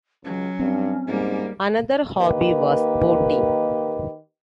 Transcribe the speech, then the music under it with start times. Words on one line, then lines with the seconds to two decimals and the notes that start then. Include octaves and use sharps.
Another hobby was boating.
0.24 C#2 F#3 C#4
0.59 G2 C4
1.07 G#2 G3 A#3
2.17 D#3 A#3 G4 B4 D#5